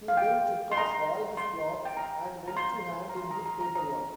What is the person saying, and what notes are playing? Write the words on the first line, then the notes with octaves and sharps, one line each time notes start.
He then took off all his clothes and went to hand in his paperwork.
F5
G5
C6
A#5
C6
G5
A#5
A#5
C6
A#5
C6
A#5
A#5
A#5
A#5